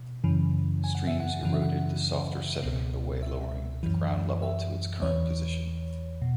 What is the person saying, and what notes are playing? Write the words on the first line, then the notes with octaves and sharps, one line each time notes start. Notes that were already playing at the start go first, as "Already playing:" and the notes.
Streams eroded the softer sediment away, lowering the ground level to its current position.
Already playing: B2
F#2 C#3 E3
G#5
F#5
E5
F#5
F#2 C#3 E3 F#5
E5
F#5
C#2 B2
E5
F#2 E3
E5
E2 E3 C#5
B2